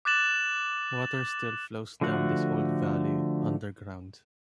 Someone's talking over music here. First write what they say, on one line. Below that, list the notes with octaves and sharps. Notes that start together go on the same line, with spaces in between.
Water still flows down this old valley-underground.
D6 F#6 A6 E7 F#7
D3 F3 A3 F#4 F#5